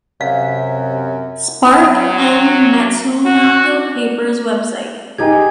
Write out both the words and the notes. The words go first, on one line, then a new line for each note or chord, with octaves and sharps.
Spark M. Matsunaga Papers web site.
F#2 C3 F5
F#3
F#4
D#4 G4 G#4 G#5 G#6